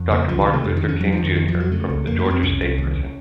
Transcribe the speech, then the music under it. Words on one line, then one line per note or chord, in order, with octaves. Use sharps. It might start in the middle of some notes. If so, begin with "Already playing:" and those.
Doctor Martin Luther King Junior from the Georgia State Prison.
Already playing: F2
C#3 A#3
C#2 F3
D#3
C3
A3
F2 F3
D#3
F2
C#4
F2 F#3
F3
F2
D#3
F2 D#3
F3
F2
F#3
C#3 A3
C#2
F2 A#3
A3
F2 A#3
C4
C2 C#4
C2
D#2